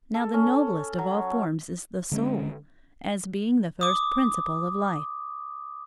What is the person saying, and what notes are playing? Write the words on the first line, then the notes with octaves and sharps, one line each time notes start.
Now the noblest of all forms is the soul, as being the first principle of life.
A4
C#4
F#3
D3 G#3 C#4
D6 D#6